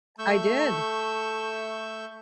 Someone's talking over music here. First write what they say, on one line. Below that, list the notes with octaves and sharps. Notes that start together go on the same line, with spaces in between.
I did.
A3 C#6 E6 G6